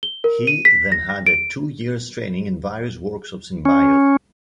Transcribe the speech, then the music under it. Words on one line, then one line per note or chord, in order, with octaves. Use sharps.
He then had a two-years training in various workshops in Biot.
G7
A#4
D#7
B6
A#6
A#6
D7
C#4